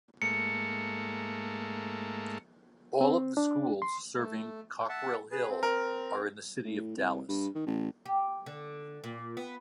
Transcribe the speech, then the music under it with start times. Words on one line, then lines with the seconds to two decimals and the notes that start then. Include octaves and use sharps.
All of the schools serving Cockrell Hill are in the City of Dallas.
0.22 G#2 A3 A#3 C#7
3.01 C4
3.37 D4
3.82 C6
4.17 A3
4.89 E5 F#5 A5
5.31 G#4 B4
5.49 C4
5.63 A#4
6.65 A2
6.97 C2
7.28 G2
7.55 D#3
7.66 A1
8.06 G4
8.46 D3
9.04 A#2
9.37 B3